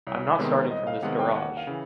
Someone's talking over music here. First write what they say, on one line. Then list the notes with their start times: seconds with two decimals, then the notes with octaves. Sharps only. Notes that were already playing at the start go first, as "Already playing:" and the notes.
I’m not starting from this garage.
0.07 C2 C#5
0.39 C3 D#3 G#3 B3 C5
0.71 C2 D#5
0.87 F5
1.02 C3 D#3 G#3 B3 F#5
1.19 G5
1.35 D#2 F#5
1.57 F5
1.67 C#3 E3